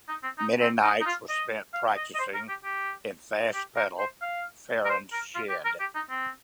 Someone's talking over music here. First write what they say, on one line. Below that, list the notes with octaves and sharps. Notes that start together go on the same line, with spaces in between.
Many nights were spent practicing in "Fast Pedal" Farran's shed.
D#4
C4
D#4
C4
D#4
D#4
F4
D#5
F5
D#5
D#5
C5
A#4
G4
G4
G4
A#4
C5
F5
A#4
C5
A#4
F4
G4
A#4
G4
D#4
C4